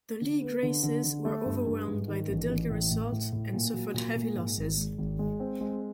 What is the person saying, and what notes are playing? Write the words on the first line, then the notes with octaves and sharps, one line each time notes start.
The League races were overwhelmed by the Dilgar assault and suffered heavy losses.
D3
B3
D3
D3
D3
A3
G2
G2
G#2
D#3
A1
A1
A2
A2
A2
A2
A#2
F#3
A#2
A#2
G#2
G#1
G#3
G#1
G#3
C4
G#3